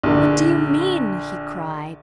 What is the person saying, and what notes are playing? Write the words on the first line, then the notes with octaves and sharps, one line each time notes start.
"What do you mean?" he cried.
A#1 D3